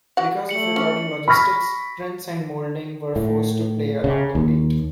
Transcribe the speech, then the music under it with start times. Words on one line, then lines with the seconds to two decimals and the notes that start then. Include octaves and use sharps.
Because of recording logistics, Prince and Moulding were forced to play around the beat.
0.17 F#4 F#5
0.49 A3 C#7 F#7
0.76 C#4
1.28 B5 C#6 F6 A#6 B6
3.16 A2
4.04 C#3
4.35 D#2